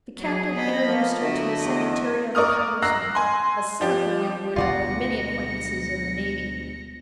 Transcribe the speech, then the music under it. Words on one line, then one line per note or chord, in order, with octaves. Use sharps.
The captain introduced her to the secretary of a congressman, a cynical young widow with many acquaintances in the navy.
F#3 G#4
A#1 D#2 F#3 B3 D#5 B5
F3 A3 A#3
D3 F#3 A3 E4 D#5
E2
A#4 D5 C#6 D#6 F6
A#5 E6 F#6 A#6 C7
G#5 C6
F3 G4
D2 B2 G#3 F4 D5 F#5 A#6 C#7